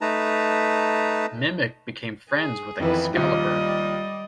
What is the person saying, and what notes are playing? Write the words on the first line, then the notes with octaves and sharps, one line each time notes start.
Mimic became friends with Excalibur.
A3 D#4 B4 A5 A#5
G#4
F2 D#3 E3 B3 E4 B4
D#2 F3 G3 D5 D#5